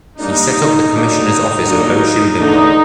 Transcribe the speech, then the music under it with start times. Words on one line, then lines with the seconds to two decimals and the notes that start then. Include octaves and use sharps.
He set up the commissioner’s office in Otjimbingwe.
0.18 G3 A#3 D4 D#4
0.92 D3 F#3 A#3 D4 D#4
1.65 F#3 A#3 D4
2.39 D3 A3 D4 D#4